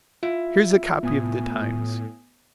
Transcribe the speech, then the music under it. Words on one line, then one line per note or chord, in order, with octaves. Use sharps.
Here is a copy of the Times.
E4 F4
A2 B3 G#5 D#6